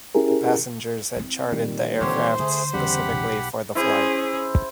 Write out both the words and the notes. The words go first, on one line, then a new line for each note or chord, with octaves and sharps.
The passengers had chartered the aircraft specifically for the flight.
C#4 E4 G4 G#4 A#4
C4 E4
A#2 D#3 G3
D3 E3 C4 G4 C5 C#5
D3 A3 G#4
E2 C#3 G3 G4 F#5 B5
B1
C#4 E4 G#4 C5